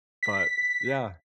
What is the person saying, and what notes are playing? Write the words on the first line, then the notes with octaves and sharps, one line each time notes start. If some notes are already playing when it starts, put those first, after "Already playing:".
but yeah.
B6